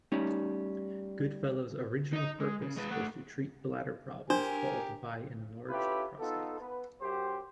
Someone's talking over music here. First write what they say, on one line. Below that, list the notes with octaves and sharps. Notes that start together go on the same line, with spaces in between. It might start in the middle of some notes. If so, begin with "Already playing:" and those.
Goodfellow's original purpose was to treat bladder problems caused by an enlarged prostate.
G3 A3 C#4 D#4
D#4 D#5
G#3
C#3
G#3 B4
A3 F#5
D4 G4 A#4 C5 G#5
C#4 E4 F4 G4 A4 B4
B3 D#4 F4 A4
B3 B4
F#2 G4 C5